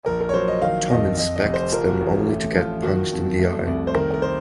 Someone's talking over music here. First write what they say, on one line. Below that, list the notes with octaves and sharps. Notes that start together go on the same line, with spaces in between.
Tom inspects them only to get punched in the eye.
A#1 A#4
A#4
C#5
F#3 C5
D#5
D#3 F5
F2 D#5
F2 D#5
D#5
F1
C5
F3 A#4
F#4
A1
A3
F3 F4
D#3 F#4
F2
A3
C2
C5
D#3 A#4
A#4
C5